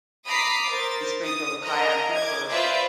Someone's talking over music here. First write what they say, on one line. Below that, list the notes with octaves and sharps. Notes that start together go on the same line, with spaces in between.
You sprinkle the cayenne pepper
A#5 B5 D6 D#6 B6 C7
A#4 C5 A6
D#6
A#4 D#5 A#5
D6 G#6
F4 B4 C5 D5 E5